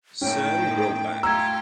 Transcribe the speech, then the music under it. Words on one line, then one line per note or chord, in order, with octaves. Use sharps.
Sam Brownback.
A2 D#3 C#4 G5
A3 F4 G4 A#5 E6 G#6